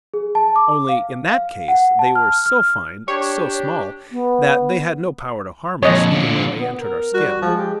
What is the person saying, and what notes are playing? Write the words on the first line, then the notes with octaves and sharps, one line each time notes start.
Only, in that case, they were so fine, so small, that they had no power to harm us, even though they entered our skin.
G#4
A5
D6
F5
F5
F#5
A5
F6
F6
D4 G4 C#5
B3
F2 A#2 C#5 D#5
A#2 D3
B3
A#4
G3 F#4
F3 G#3
G4